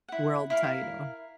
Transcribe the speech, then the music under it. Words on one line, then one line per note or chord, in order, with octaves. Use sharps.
world title.
E4 F#5
E4 A#4 F5